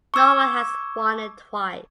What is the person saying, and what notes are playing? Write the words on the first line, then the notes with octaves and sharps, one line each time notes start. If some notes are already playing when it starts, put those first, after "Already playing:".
No one has won it twice.
C#6 D6 E6 G#6